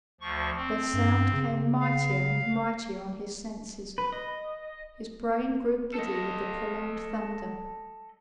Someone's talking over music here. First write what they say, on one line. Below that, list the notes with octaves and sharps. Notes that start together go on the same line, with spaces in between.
Their sound came mightier and mightier on his senses; his brain grew giddy with the prolonged thunder.
D2 F3 C#6
C4
G2
C#3
F5
B4
D#5
A4 D#5